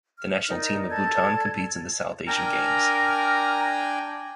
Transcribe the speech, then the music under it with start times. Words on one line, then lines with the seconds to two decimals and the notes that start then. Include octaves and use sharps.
The national team of Bhutan competes in the South Asian Games.
0.19 F6
0.49 D#4 A#4 D5
0.90 A4 D5 A5 G#6
2.28 D4 A#4 G5 G#5 A#5